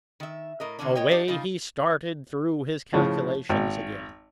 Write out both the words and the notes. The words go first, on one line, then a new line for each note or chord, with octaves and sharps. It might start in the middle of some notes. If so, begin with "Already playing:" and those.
Away he started through his calculations again.
D#3 E5
A2 A#4 D#5
A2 D3 G3 C#4 D4
B2 G#3 C#5 D#5 G5
D4 G4 D5 D#5
C#3 G3 D#4 F4
A2 C#3 F3
G#1